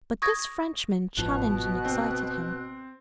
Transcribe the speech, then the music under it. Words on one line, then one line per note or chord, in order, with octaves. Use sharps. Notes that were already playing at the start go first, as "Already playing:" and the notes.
But this Frenchman challenged and excited him.
C#6 D#6 G#6 A#6
G1 G#2 B2 F3 F#6 F7
C4